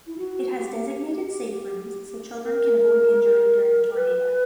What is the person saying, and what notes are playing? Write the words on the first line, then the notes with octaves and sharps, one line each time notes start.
It has designated safe rooms so children can avoid injury during a tornado.
E4
F#4
G4
A#4
A#4
B4